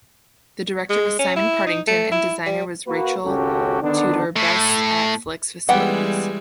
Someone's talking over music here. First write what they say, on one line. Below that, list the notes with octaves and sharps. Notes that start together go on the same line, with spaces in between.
The director was Simon Partington and designer was Rachel Tudor Best at Flix Facilities.
G#3
C#4
E4
D#4
A3
E4
G3
A#3 F#4 B4
G#1 C#2 C#4 F#4 G4 A4
D3 D#3 B3 D4
A2
E3 G3 G#3 B3 G4 F#5